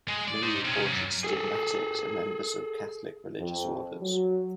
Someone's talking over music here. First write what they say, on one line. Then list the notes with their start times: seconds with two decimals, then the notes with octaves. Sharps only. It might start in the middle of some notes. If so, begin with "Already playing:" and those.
Many reported stigmatics are members of Catholic religious orders.
0.08 G#3
0.28 D5
0.42 D#4 C5
0.65 C3 C#4
0.91 F#2
1.24 G#4 A4
3.39 F2
4.02 F#3